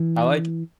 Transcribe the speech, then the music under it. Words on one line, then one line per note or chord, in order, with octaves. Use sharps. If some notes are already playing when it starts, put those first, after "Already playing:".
I like
Already playing: E3